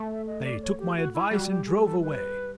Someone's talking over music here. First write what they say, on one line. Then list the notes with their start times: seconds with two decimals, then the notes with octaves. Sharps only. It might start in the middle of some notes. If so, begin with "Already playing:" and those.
They took my advice and drove away.
Already playing: A3
0.09 E5
0.27 D#5
0.44 D5
0.62 C#5
0.79 G4
0.96 F#4
1.14 E4
1.31 G3 F#4
1.49 G4
1.66 G#4
1.84 A4
2.02 B4